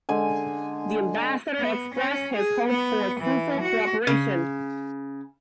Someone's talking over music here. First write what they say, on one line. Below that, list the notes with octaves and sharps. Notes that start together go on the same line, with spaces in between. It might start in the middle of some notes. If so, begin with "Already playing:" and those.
The Ambassador expressed his hope for fruitful cooperation.
D3 G#3 G#5
B3
C#4
G#4
B3
E3
F#4
C#3